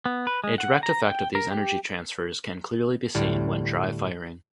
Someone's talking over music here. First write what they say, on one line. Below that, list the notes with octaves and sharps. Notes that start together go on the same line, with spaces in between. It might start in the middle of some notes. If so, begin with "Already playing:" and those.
A direct effect of these energy transfers can clearly be seen when dry firing.
B3
B4
G#3
F#5
A#5
G5
A#4
G4
D2 A2 G3